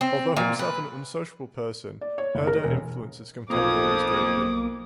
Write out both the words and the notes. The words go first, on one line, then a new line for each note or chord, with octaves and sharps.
Although himself an unsociable person, Herder influenced his contemporaries greatly.
C4
A#2
B4
D5
C#5
F#1
A#4
E1
B1 F2 A#3 D6 D#6